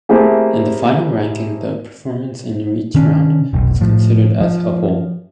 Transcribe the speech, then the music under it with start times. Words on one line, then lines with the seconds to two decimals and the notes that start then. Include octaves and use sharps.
In the final ranking, the performance in each round is considered as a whole.
0.09 A3 A#3 C4 E4 G4 G#4
2.95 C3 D#3 C#4 D4
3.53 F1 B1
3.81 A2 F3
4.41 F3